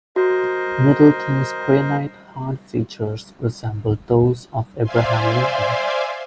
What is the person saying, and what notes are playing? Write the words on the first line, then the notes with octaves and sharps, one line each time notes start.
Middleton's granite-hard features resembled those of Abraham Lincoln.
F#4 A#4 C5 D#5
C5 D5 E5 F5 G#5 C6